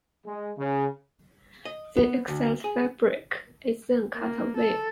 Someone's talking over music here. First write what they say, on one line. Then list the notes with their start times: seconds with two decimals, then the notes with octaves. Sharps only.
The excess fabric is then cut away.
0.24 G#3
0.57 C#3
1.65 D#5
1.97 B3
2.28 D2
2.64 G#4
4.15 A#3
4.57 A4